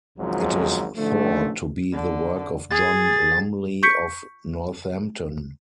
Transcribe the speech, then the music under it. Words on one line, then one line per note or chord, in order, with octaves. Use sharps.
It is thought to be the work of John Lumley of Northampton.
G#1 C#2 G#2 F3 F#3
A1 D3 F3 A3
D3
G#4 A6
C#6 G6 B6 C#7 D7